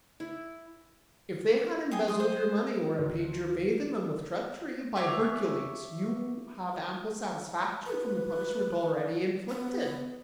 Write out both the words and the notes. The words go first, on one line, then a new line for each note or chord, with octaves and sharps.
If they had embezzled your money or repaid your faith in them with treachery, by Hercules, you have ample satisfaction from the punishment already inflicted!
E4
G#4 G5 D#6
C6 D#6
C5 D#6
D2
G4 G#4 C#5 E5
B4
B3